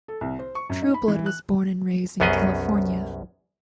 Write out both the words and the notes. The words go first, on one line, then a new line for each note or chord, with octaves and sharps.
Trueblood was born and raised in California.
A4
C2
C5
C#6
F#2
D#4
B5
E3
F#6
C2 F#2 B3 C#4 G#4 D#5